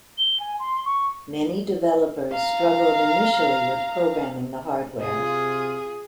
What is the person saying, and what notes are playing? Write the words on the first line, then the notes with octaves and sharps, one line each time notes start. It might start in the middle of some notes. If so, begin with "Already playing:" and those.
Many developers struggled initially with programming the hardware.
G7
G#5
C6
C#6
F5 A#5
C3 F4 G#4